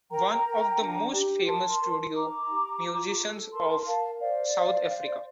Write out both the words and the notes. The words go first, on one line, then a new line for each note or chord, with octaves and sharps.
One of the most famous studio musicians of South Africa.
A#4 G5 A#5
A#4
D4
G4
A#4 A5 C6
A#4
D#4 A#5 D6
G4
F4
A4
A#4 A5 C6
A#4 F5 A5
C5 D5 F5
C5
C5